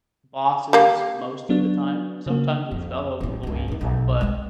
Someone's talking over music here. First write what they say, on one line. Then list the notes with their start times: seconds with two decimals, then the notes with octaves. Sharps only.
b bosses most of the time. Sometimes it's fellow employees. But,
0.73 G3 A#3
1.49 F#3 B3 D4
2.26 C#3 A#3
2.71 F2
3.21 A1 F#3
3.43 C#2 G2
3.68 A1 D#2
3.81 B1
4.21 G#3 C4